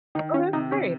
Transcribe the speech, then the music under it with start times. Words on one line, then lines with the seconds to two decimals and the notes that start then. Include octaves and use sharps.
Oh, that's great.
0.15 D#3 D#4
0.34 C#4
0.53 C3 D#4
0.72 C#4